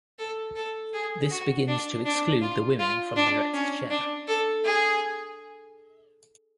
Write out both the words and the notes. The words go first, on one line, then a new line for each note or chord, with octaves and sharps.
This begins to exclude the women from the director's chair.
A4
A4
G#4
F#4
D4
D4
F4
F4
D4
C#4
D4
A4
G#4